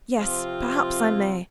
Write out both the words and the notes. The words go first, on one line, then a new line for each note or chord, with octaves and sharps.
'Yes, perhaps I may.
C3 F3 C4 F4